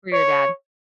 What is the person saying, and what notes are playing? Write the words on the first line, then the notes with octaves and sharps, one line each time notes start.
For your dad.
C#5